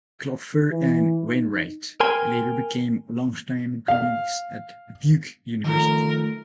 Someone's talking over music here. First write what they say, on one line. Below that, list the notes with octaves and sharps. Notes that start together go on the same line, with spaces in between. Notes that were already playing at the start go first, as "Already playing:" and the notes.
Klopfer and Wainwright later became longtime colleagues at Duke University.
E3
D#4
A#4 G5 G#5 C6
F5
D#3 F3 A3 A#4